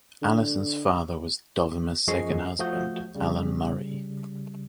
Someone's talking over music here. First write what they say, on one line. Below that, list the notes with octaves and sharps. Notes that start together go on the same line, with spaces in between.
Allison's father was Dovima's second husband, Allan Murray.
D3
F#2 F3 G#4 D#5 C#6 C7
F3 A3 F#4 F5 D#6 G6
C#3 G3